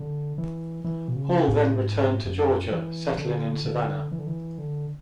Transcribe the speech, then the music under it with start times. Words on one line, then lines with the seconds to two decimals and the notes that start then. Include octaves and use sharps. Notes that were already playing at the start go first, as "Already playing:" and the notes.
Hall then returned to Georgia, settling in Savannah.
Already playing: D3
0.38 E3
0.84 E3
1.08 B2
1.16 C#3
1.47 A2
1.78 G#2
2.25 F#2
2.72 E3
3.18 D3
3.65 D3
4.12 E3
4.19 D3
4.27 E3
4.58 D3